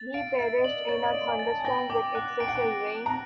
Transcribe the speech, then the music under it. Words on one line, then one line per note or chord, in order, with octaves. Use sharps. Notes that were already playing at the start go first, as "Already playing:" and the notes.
He perished in a thunderstorm with excessive rain.
Already playing: A6
F5 D7
E5 A6
D#5
D5 F#7
C#5 A6
D#5
D5
D7
G#5
A6
A5
G#5
G5 A#6
G5 D6
F#5 F#6
G5 D7
F#5
G5
A#6
D6
A#5